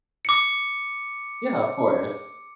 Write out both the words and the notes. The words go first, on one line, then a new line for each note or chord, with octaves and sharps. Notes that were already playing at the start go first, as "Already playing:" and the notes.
Yeah, of course.
D6 C#7